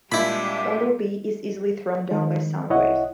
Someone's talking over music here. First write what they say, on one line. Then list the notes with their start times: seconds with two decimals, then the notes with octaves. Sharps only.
Bumblebee is easily thrown down by Soundwave.
0.12 A#2 G3 G#3 D4 E4 E5 G5 B5
2.11 D#3 G#3
2.70 C2 E4 C#5 D#5 F#5